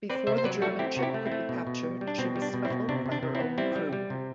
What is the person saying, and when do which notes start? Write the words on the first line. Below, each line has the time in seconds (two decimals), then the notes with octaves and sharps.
Before the German ship could be captured she was scuttled by her own crew.
0.10 C4 B4 D5
0.27 C3 C5 E5
0.38 C5
0.44 F#3 B4 D5
0.62 A3 F#4 A4
0.79 C4 E4 G4
0.97 C3 F#4
1.02 E4 G4
1.14 A3
1.25 C4 E4
1.32 A3
1.49 B2
1.67 B2
1.83 G3
2.01 G3
2.07 D4
2.18 B2 C4
2.36 G3
2.42 D4
2.54 B2
2.65 C4 E4
2.70 B2
2.89 C3 D4
3.06 C3
3.12 D4
3.23 C3
3.35 C4 E4
3.40 B3
3.58 G3 C4 E4
3.76 G3
3.93 G3
4.10 C3